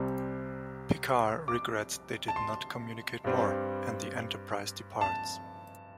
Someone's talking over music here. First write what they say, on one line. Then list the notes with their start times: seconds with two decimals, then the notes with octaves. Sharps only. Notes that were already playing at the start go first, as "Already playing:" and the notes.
Picard regrets they did not communicate more, and the "Enterprise" departs.
Already playing: C2 C3 G3 C4
1.48 D6
2.28 A5
2.36 C6
3.24 G2 G3 C4
5.01 A5